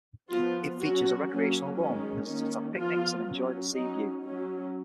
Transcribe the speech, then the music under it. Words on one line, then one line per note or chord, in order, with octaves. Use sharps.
It features a recreational lawn for visitors to have picnics and enjoy the seaview.
F3 B3 F4
F#3 C#4 F#4
F#3 A#3 C#4
D#3 G#3 C#4
D#3 A#3 C#4
F3 B3 F4
F#3 C#4
F#3 C#4 D#4
F#3 C#4